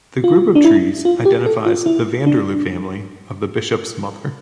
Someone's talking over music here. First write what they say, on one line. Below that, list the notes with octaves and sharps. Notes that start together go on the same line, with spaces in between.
The group of trees identifies the Vanderloo family of the Bishop's mother.
F4
D4
E4
F4
G4
A4
F4
E4
D4